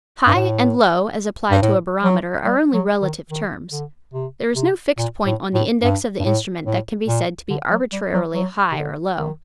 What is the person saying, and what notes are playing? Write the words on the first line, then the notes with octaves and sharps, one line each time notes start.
"High" and "low" as applied to a barometer are only relative terms. There is no fixed point on the index of the instrument that can be said to be arbitrarily high or low.
G2
A2
G2
A2
F#3
G3
F#3
D#3
D#3
D3
C3
C3
A#2
A2
A2
G2
G2
A2
A2
A#2
D3
F#3
G3
F#3
F#3
C3
D3
D#3